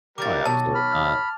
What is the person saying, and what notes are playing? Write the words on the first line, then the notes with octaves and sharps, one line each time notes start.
Oh, yeah, absolutely not.
D#3 G3 A#3 A#4 D6 A6
B2 D#3 F#3 A5
B5 F6